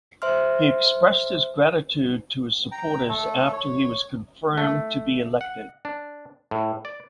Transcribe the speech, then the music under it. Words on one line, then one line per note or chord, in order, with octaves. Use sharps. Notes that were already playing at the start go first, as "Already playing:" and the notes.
He expressed his gratitude to his supporters after he was confirmed to be elected.
C5 E5 C6 F6
G5 A#5
A3 A4
C#5
A3
F#5
D4
A2
D5